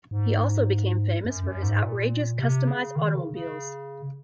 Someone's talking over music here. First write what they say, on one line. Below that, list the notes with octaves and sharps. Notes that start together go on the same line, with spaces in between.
He also became famous for his outrageous customized automobiles.
G#2
F#2
F#2
G#2
A#2
C3
C#3
D#3
C#3
C#3